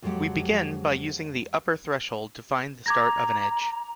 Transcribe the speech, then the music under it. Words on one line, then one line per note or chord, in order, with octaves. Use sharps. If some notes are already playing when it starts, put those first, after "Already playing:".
We begin by using the upper threshold to find the start of an edge.
F2 F#3 G#3 A#3 G4 F#5
A#5 D6 G#6 A#6